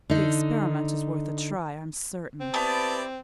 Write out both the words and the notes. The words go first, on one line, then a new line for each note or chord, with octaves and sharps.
The experiment is worth a try I'm certain.
D3 D#4
C4
B3 E4 G4 D5 A5